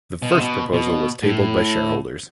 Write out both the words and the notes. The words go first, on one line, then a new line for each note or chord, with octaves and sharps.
The first proposal was tabled by shareholders.
B2
C3
B2
B2
A2